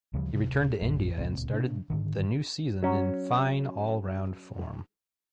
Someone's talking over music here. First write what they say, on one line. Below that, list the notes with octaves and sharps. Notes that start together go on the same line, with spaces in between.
He returned to India and started the new season in fine all-round form.
D2 C#3 F3 G3
D1 C3
A#1 F#2 A2
D1 C#2 A#2 C4
C3 D4
G#2 D3 D#3
F#3 C#4